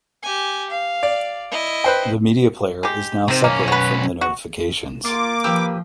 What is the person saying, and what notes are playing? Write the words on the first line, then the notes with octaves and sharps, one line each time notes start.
The media player is now separate from the notifications.
G4 G#5
F5
D5
E4 D#5
B4 C5 G5
G#3 G4
C3 D#3 C4
B1 A#3 C#4
F#4 B4
F#4
A#3 F4 D6
F3 G4 B4 E6